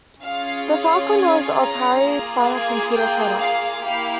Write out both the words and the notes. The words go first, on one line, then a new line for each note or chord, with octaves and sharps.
The Falcon was Atari's final computer product.
C#4 F4 G#4 F5
F5
G#5
A#5
A#3 F4 G#4
G#5
G5
F5
A#3 E4 G4 F5